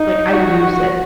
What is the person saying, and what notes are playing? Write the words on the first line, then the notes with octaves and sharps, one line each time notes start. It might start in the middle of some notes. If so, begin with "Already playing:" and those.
Like, I lose it.
Already playing: D#4
F#4